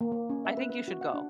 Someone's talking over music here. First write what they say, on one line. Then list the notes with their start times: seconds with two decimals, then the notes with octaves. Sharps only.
I think you should go.
0.01 A#3
0.12 A#3
0.30 C#4
0.45 E5
0.57 B4
0.70 B4
0.88 F#4
1.01 F#5
1.14 D4